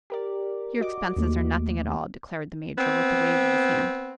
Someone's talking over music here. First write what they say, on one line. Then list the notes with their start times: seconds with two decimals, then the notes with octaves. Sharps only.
"Your expenses are nothing at all," declared the Major, with a wave of his hand.
0.10 G4 A#4 D5
0.80 F#4 D#5 D6
1.16 D#2 D#3 A3 A#3
2.77 B3 C4